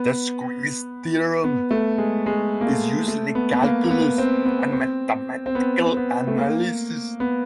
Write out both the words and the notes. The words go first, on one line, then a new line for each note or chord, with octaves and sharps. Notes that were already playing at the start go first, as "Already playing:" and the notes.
The squeeze theorem is used in calculus and mathematical analysis.
Already playing: B3
B3
A3
G#3
G#3
A#3
A3
A3
B3
B3
A#3
A#3
B3
C4
B3
C4
C4
B3
B3
A3
A#3
B3